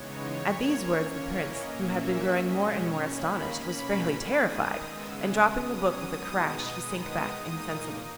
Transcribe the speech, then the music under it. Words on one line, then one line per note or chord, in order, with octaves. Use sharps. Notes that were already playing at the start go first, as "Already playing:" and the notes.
At these words the Prince, who had been growing more and more astonished, was fairly terrified, and dropping the book with a crash he sank back insensible.
Already playing: C#3 E3 G#3 B3 D#4 C#5
A#2 A#3 C#4
E3 A#3 C#4 C#5
D#5
A#2 A#3 C#4 E5
B2 G#3 C#4 D#5
C#5
D#3 A#3 C#4 B5
B2 A#3 C#4
D#3 G#3 D#4 D#6
C#3 G#3 B3 E6
D#6
B2 F#3 C#4 D#6
B2 G#3 B3 D#4
D#3 G#3 B3 D#4
A#2 A#3 D#4